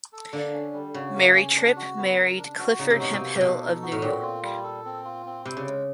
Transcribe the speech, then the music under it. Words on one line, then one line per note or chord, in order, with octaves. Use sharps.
Mary Tripp married Clifford Hemphill of New York.
A4
D3 A#3
C#4
G3
C#3 F#4
A#3
C#4
D4
F#4
B3
A#4
D4
F#4
C#3 D#4
C3
B2 F#4
C3
A#3
C3
B2 A4
D#4
F#4
A2
A#2 C4
F4
G3
A4
C4
F4
C4
C3 E4
C#3
G#3